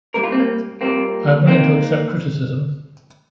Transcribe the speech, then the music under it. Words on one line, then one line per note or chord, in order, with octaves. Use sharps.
I am willing to accept criticism.
A#2 G3 A#3 A#4
F4
C4
A#3
A#2 G3 A#3 C4
D#3 A#3 C4